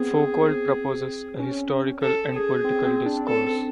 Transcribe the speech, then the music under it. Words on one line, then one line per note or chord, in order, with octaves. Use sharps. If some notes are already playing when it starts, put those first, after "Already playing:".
Foucault proposes a "historical and political discourse".
Already playing: B3 C4 G#4
C4
C#4
A4
G#4
C4
C4
D4
A4